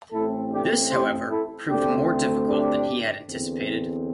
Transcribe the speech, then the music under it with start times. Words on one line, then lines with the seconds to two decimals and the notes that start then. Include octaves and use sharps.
This, however, proved more difficult than he had anticipated.
0.13 A1 A2 A3 C4 E4 A4
0.53 D4 G4
0.91 G4 C5
1.30 E4 A4
1.70 D2 D3 A3 C4 D4 G4
2.48 D4 G4
3.27 E2 D3 C4